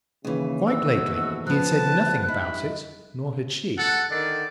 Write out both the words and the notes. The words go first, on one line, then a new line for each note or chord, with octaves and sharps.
Quite lately he had said nothing about it,--nor had she.
D#2 C#3 E3
A1 G#2 B2 F#4 E6
F3 B3 A5 F#6
G2 D#4 E4 D#5 B5
A4 F#5
D3 D#3 D5